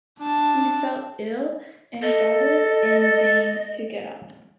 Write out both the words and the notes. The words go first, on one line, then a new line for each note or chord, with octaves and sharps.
He felt ill, and struggled in vain to get up.
D4 A5
A4 D#5